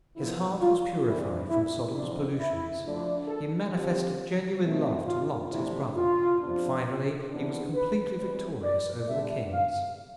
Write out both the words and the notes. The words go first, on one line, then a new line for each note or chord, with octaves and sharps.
His heart was purified from Sodom's pollutions; he manifested genuine love to Lot, his brother; and, finally, he was completely victorious over the kings.
D3 F3 B3 E4
F4
C3 E3 G3 D4 E4
E4
F2 E3 B3 D4
E4
D3 F3 A3 D4
A4
D3 F3 C4 G4
B2 A3 C4
F4
F2 C3 E3 A3 D4 E4
F4
F2 C3 F3 B3 D4
E2 C3 E3 B3 D4
B4
E2 C3 G3 B4
D5
D3 G3 B3 D4 E5
F5